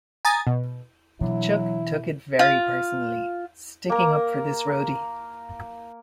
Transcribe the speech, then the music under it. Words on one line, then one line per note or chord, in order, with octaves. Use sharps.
Chuck took it very personally, sticking up for this roadie.
G#5 A#5 D#6 A6
B2
B2 E3 F#3 D4 E4
F4
A#3 A#4